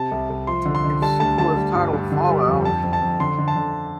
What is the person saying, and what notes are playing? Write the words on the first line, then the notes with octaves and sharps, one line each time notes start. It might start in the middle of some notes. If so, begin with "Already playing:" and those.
Its sequel is titled "Fallout".
Already playing: C3 A5
C2
C2
F3 C6
D3
C6
D3
G3 A5
D2 A5
D3 A5
G3
G2
G2
D3
G3
F2
F2 A5
F2
A5
F2
D3 C6
D3
A5
D3